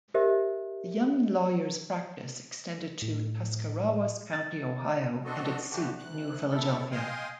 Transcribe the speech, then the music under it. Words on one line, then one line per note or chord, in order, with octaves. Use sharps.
The young lawyer's practice extended to Tuscarawas County, Ohio, and its seat, New Philadelphia.
G4 A#4 C5 D#5 E5
A2
A6
C4 D4 F#4 A4 D#5
D3 E3 B3 D4 F#4 G4
D2 F#6
E4 A4
D#5 F5 G5 G#5 C6 D#6